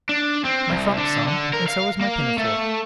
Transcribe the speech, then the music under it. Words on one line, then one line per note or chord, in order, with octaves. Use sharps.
"My frock's on, and so is my pinafore."
D4
C4
C2
D3
D3
A#4
F5
A#3
A3